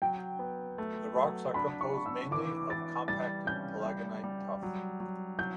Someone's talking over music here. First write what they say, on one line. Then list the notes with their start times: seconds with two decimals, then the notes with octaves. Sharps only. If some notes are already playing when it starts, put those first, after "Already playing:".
The rocks are composed mainly of compacted palagonite tuff.
0.02 F#3 G5
0.39 B3
0.78 A3
1.16 F#3
1.54 D4 B5
1.81 C#6
1.94 D4
2.06 E6
2.31 E3 D6
2.69 E3 A6
3.08 G3 A6
3.46 C#4 G6
3.85 G3
4.24 G3
4.63 F#3
5.00 F#3
5.39 F#3 G6